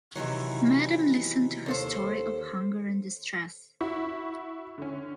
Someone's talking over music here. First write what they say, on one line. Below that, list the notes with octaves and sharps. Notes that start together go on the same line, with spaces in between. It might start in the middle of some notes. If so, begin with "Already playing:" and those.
Madame listened to her story of hunger and distress.
C3 D#3 E3 F#3
D#2 A4 C5
E4 F#4 B5 C#6
D3 C#4